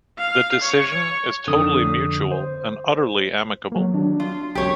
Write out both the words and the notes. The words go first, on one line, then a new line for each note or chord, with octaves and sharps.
The decision is totally mutual and utterly amicable.
F5
C#5
F2 D3 D#6
C5
F#3 A#3
D#3 F#3 D4
F4
C2 F#2 F#3 G4 C#5